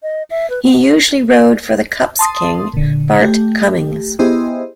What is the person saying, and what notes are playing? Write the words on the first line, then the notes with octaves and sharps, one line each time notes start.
He usually rode for the "cups king" Bart Cummings.
D#5
E5
B4
B3
A5 C6 D#6
A#2 D3
A3 G4
B3 E4 G4 G#4 C5 D#5